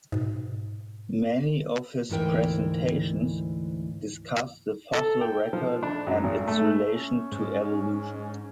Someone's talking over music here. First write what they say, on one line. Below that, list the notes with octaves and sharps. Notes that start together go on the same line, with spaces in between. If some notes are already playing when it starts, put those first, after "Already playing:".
Many of his presentations discuss the fossil record and its relation to evolution.
G#2 B2
D2 G#2 E3 A#4 G5
A4
G5
F3
D4
F#2
G#1
A3
C#4
G#2